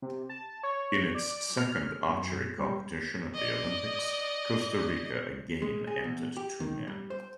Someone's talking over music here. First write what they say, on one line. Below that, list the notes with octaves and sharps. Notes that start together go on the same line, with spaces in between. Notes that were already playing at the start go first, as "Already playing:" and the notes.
In its second archery competition at the Olympics, Costa Rica again entered two men.
C3
A5
C#5
D5
F6
F#2
G3
D5 D#5
G#3
G#4
E2
G4
D#3
G3
C5